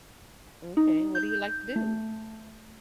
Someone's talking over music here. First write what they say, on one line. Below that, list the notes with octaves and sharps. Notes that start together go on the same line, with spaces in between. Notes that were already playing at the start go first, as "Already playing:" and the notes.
M'kay, what do you like to do?
D#4
G6
A3